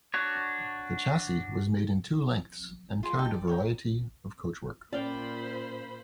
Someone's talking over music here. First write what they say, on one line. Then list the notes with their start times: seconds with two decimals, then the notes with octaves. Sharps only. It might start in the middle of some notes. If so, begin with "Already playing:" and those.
The chassis was made in two lengths and carried a variety of coachwork.
0.14 D4 F#4 C#5
3.03 F4 G#4 C6
3.18 D#4 G5 A5
3.34 D5
3.47 C#5 G5 A#5
4.93 A#2 C#4 F4 C5 D5 F5 G5 B5